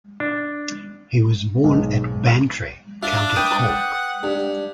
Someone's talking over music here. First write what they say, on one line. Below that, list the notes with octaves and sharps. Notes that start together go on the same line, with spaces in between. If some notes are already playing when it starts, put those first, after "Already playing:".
He was born at Bantry, County Cork.
D4
B1 G#2
D4 F4 E5
B4 G5 D#6
F#5
G2